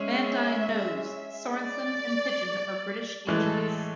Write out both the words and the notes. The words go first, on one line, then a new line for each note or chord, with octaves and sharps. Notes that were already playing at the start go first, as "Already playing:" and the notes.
Van Dyne knows Sorensen and Pidgeon are British agents.
Already playing: G#3 C#4 G#4 C#5 E5
D5
A2 E3 G#3 A4